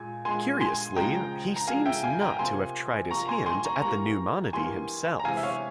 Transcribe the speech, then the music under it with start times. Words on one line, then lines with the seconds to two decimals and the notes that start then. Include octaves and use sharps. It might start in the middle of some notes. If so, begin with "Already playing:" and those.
Curiously, he seems not to have tried his hand at the new monody himself.
Already playing: A#2 G#3 G#5
0.25 A#2 G#3 G#5 C6
0.61 G#5 C6
0.96 C#3 F3 G#3 G5 A#5
1.56 A#5
1.67 C#3 F3 G#3 F5 G#5
1.86 E5 G5
2.04 F5 G#5
2.21 G5 A#5
2.39 C3 F3 A#3 G#5 C6
3.11 C3 F3 A#3 A#5 C#6
3.28 G#5 C6
3.46 G#5 C6
3.65 A#5 C#6
3.82 E3 G3 A#3 A#5 C#6
4.53 E3 G3 A#3 G#5 C6
5.19 A#5
5.25 C3 E3 G#3 F5 G#5
5.37 E5
5.43 C#5 F5